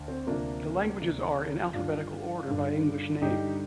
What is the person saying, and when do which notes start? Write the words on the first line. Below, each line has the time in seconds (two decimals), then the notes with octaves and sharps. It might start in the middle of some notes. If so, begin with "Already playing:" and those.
The languages are in alphabetical order by English name.
Already playing: D2
0.08 C4
0.27 D2 C3 F3 A#3 D4
1.00 D2 C3 F3
1.74 G2 D3 G3 D4 F4
2.48 G2 D3 G3
3.21 G2 D3 G3 D#4 G4